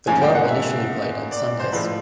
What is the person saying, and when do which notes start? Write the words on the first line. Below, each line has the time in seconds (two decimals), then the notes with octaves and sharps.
The club initially played on Sundays.
0.07 G#2 F3 A#3 C#4 G#5
0.22 G5
0.35 F#5
0.49 E5
1.32 D5
1.45 D5
1.60 C5
1.73 A2 F3 G#3 B4